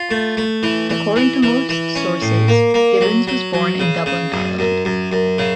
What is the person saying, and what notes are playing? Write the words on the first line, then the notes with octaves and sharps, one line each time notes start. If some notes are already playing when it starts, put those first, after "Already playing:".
According to most sources, Gibbons was born in Dublin, Ireland.
Already playing: F4
A3
A3
E3
E3
E3
E3
E3
C#4
A2
A#3
A#3
F#3
F#3
F#3
C#3
C#3
F#2
F#2
F#2
F#2
C#3